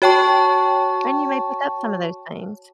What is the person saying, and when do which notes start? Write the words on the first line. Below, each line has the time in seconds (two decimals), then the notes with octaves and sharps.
And you may pick up some of those things.
0.02 F#4 C#5 G5 A5 C#6